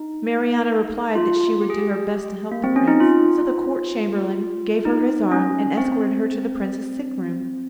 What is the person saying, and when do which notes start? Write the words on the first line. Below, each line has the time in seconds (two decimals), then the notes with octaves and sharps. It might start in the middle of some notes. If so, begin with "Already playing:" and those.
Marianna replied that she would do her best to help the Prince; so the Court Chamberlain gave her his arm, and escorted her to the Prince's sick room.
Already playing: D#4
1.15 F4
1.61 G4
1.70 G#4
1.78 G4
2.52 A#3
2.64 C4
2.76 C#4
2.88 D#4
3.00 F4
4.85 D#4
5.32 C#4
5.77 C4